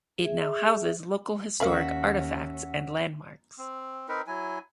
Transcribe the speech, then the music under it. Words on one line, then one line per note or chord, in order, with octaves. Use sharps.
It now houses local historic artifacts and landmarks.
G#4 E5
D#2 C#4 F#4 A#4 E5 F5 B5
C4
C4 D#4 A#4 B4
F#3 E4 G#5